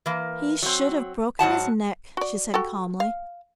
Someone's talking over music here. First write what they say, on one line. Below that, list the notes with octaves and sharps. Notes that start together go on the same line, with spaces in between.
"He should have broken his neck," she said calmly.
E3 A#3
F#3 C4
G#2 F#3 F#5 A5
F#4 D5
F#4 G4 A4
F5